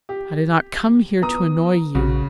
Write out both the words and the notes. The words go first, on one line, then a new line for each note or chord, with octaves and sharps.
I did not come here to annoy you.
G4
B3 A#5 D#6
A#1 C#3 F#4